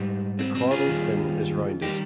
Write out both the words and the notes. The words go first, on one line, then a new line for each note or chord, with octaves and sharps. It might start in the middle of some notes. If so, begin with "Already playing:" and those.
The caudal fin is rounded.
Already playing: G#2 G3 D#4 G4
C4
C4
F4 G#4
D#2 D#3 G3
D#3 G3 D#4 G4